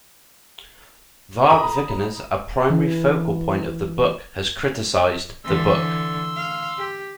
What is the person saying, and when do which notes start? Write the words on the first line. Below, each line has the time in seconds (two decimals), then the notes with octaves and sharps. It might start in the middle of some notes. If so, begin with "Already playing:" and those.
Varg Vikernes, a primary focal point of the book, has criticized the book.
1.50 A#5 B5 D#6
2.70 E3
5.44 D3 E3 C6 E6
6.36 F5
6.78 G4